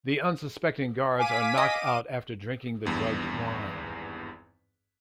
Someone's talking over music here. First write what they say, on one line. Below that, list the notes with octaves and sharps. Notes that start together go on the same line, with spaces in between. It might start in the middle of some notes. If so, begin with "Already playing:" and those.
The unsuspecting guards are knocked out after drinking the drugged wine.
F5 G#5 D6 B6 D#7
D#5
G#1 E2 G2